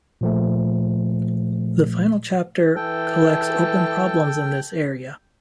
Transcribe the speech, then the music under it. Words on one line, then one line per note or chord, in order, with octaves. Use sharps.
The final chapter collects open problems in this area.
A#2 F3 A3
E3 A4 G5